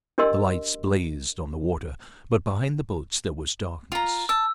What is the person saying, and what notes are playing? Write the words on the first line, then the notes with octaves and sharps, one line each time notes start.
The lights blazed on the water, but behind the boats there was darkness.
D4 G4 A#4 D#5 C6 E6
F4 A#5
A5 E6